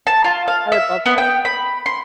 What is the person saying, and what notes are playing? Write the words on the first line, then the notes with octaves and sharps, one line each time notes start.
I would love that.
A5
F4
F5
E5
B3
G5
B5
C6